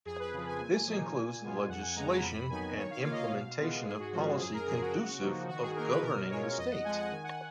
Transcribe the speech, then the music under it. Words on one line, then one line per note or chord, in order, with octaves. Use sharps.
This includes the legislation and implementation of policy conducive of governing the state.
F2 G#4
B4
C#3 F3
G#5
A#2
F3 A#3 D#4
A#2
G#3 B3 F4
F2 F#5
G#5
C#3 G#3 B3 A#5
A#5
F2 B5
D#3 F#3 B3 D#4 G#5
D#3 C#5
F5
A#3 F4 F5
D#5
F5
B2
G#3 B3 F4
G#2 G#4
F#4
F3 G#3 C#4 F4 F#4
G#4
F#2 G#4
A#4
C#3 F3 G#4
F#4
C#3
F3 A#3 D#4
D#3 F#4
G#4
A#3 D#4 A#4
B4
B2 A#4
G#3 C#4 F4 C#5
F2 D#5
F#5
F3 G#3 G#5
F#5
D#3 G#5
F#5